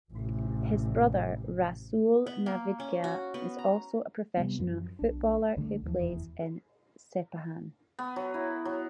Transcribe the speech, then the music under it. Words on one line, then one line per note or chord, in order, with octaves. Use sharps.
His brother, Rasoul Navidkia is also a professional footballer who plays in Sepahan.
A1 C3
B3
A#3
C#4
F#4
B3
A#5
C3 G3 B3
F#2 F3
B1 D4
C2 D3 F3 A3
D#2 E3 F3
F1 E2
B3
F#3
E4
F#3